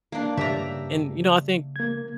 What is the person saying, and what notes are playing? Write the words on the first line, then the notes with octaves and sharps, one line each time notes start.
And, you know, I think
A#3 D4
G2 C#3 G4 D5 E5 A#5
A#3 G#6